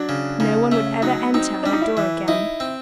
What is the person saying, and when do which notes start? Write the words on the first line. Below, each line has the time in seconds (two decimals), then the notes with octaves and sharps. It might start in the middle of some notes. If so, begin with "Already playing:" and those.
No one would ever enter her door again.
Already playing: F#3 D4
0.09 C#3
0.40 C#3 D#4
0.72 A3 C#4
1.02 F#3 D#4
1.34 C4 D#4
1.63 G3 D4
1.73 D#4
1.82 E4
1.97 E3
2.28 D#4 E4
2.60 C4